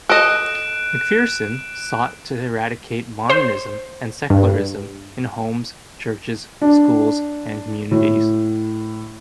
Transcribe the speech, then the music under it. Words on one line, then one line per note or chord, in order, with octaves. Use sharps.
McPherson sought to eradicate modernism and secularism in homes, churches, schools, and communities.
A4 D#5 F#6 D7 E7
C5
G2
D4
A2